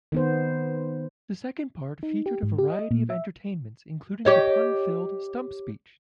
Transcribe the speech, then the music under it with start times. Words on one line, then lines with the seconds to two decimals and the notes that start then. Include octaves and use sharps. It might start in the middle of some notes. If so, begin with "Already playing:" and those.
The second part featured a variety of entertainments, including the pun-filled stump speech.
0.12 D#3 B3 C5
2.03 D#4
2.26 G4
2.43 G#2
2.58 G4
2.70 D#5
2.91 A#2
3.10 E5
4.25 G4 C#5 D#5